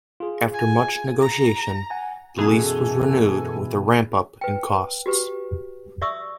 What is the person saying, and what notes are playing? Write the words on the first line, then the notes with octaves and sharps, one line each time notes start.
After much negotiation, the lease was renewed, with a ramp up in costs.
F4 G#4
G#5
A#5
F#5 G#5
F#2 B2 E3 G#4 A4 G#5
B4 G5
F#4 G4 B4
D5 E5 C#6 D#6 E6